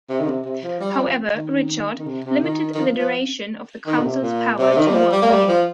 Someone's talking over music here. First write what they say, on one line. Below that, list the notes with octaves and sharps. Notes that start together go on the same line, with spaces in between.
However, Richard limited the duration of the Council's powers to one year.
C3
D#3
C3
C3
F3
G3
G3
F3
D#3
D#3
C3
C3
D#3
D#3
F3
F3
D#3
A#2
C3
A#2
C3
C3
D#3
G3
F3
G3
A#3
G3
F3